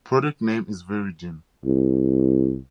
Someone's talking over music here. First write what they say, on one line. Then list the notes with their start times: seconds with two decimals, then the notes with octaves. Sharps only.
Product name is Veregen.
1.65 C2